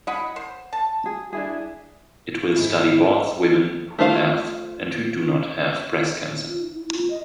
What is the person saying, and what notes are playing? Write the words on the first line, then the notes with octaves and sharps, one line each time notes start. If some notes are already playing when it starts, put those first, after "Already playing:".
It will study both women who have and who do not have breast cancer.
E4 D#5 F#5 B5
C5
A5
G#4
D4 E4 G#4
G#2 E4
A3 F4 C5 F5
F4
D#4
E4
F4
D#5